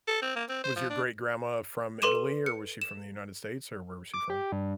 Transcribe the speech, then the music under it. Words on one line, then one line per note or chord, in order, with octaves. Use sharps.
was your great grandma from Italy or was she from the United States or where was she from?
A4
C4
A#3
C4
C5
F3
D4
A4 B4 C6 D6 D#7 E7
C#7
E7
D6
G4
G2